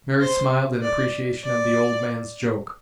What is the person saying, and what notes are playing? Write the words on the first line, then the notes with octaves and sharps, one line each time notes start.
Mary smiled in appreciation of the old man's joke.
C5
D5
D5